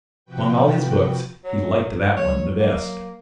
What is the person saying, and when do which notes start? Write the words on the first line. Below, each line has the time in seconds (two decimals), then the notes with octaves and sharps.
Among all his books, he liked that one the best.
0.25 C3 F3 F#4 B4 G5
1.44 F#3
2.17 F#3 C#5
2.59 A#3